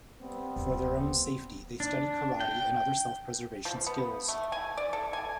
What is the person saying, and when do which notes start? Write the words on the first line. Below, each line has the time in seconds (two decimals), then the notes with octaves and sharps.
For their own safety, they study karate and other self-preservation skills.
0.21 G3 B3 C4
0.56 D1 E3
1.80 D4
2.40 G5
3.65 F3
3.87 B3
4.29 A3
4.52 G#5
4.77 D5
4.93 A4
5.13 G#5